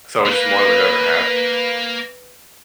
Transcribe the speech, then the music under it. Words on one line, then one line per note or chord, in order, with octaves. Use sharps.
so it's more than we've ever had,
A#3 B4